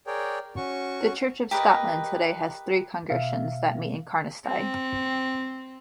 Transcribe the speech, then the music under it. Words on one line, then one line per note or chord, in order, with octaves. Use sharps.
The Church of Scotland today has three congregations that meet in Carnoustie.
G#4 A#4 C#5 D5 G5
C#4 F#4 C#6
G4 A#4 B4 D#5
B2 E5 F5
C4